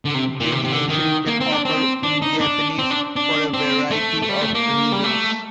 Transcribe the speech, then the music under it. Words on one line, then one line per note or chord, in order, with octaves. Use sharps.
Gemination can occur in Japanese for a variety of reasons.
D3
C3
A#2
C3
C3
D3
D#3
A#3
C4
D4
C4
D4
D#4
D4
C4
D4
D4
C4
A3
A3
G3
A3
A#3
G3
A3